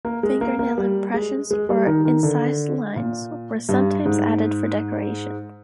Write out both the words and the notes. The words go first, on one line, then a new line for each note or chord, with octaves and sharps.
Fingernail impressions or incised lines were sometimes added for decoration.
A#3
G#3
A#3
A#3
G3
G#3
G#3
G3
D#3
D#3
D3
A#2
G2
G#2